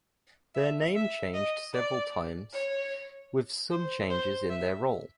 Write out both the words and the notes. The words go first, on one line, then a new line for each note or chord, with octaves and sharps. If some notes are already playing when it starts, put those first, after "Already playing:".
Their name changed several times, with some changes in their role.
E5
E5
D#5
D5
C#5
C5
C5
E5